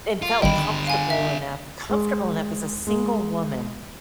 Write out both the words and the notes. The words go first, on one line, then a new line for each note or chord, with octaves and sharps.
and felt comfortable enough comfortable enough as a single woman
F4
G#1 D3 G3 G4 D#5 G5 B5
F5 G#5
E5
G#3
G#3